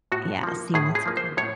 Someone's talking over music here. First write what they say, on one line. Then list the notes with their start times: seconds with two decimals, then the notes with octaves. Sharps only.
Yeah, see? And that's great.
0.12 A2 F#4
0.43 F3 A#3
0.74 A2 G#4
0.95 G#4
1.06 F3 A#3
1.17 C5
1.37 A2 C#5